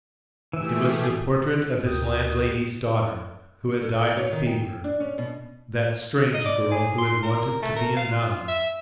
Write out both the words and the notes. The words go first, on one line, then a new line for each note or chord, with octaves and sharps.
It was the portrait of his landlady's daughter, who had died of fever, that strange girl who had wanted to be a nun.
E3 A3 G4 G#4 E5
D2 G4 A#4 G5 D#6
A4
C#5
D#3
G5
D4
C#4
B2
D#5
D5
G#4
C6
A#4
A3
A#4
F5
F4
E5